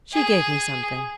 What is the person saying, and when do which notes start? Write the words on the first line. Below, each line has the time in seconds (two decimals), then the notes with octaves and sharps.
She gave me something.'
0.13 G#4